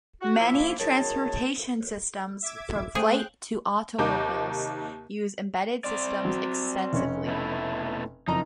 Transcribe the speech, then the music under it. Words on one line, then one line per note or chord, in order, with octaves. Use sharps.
Many transportation systems from flight to automobiles use embedded systems extensively.
F#4
F3 A#3 E4
F#2 D#3 G#4 C#5 A5
E5 D6 G#6
A3 G#4 C5 G5 F#6
D#2 C3 A#3 D#4 D6 G6
C4 D5
F#3
F1 C#4
B2 A3 E4
F#1 F2 D#4 A#5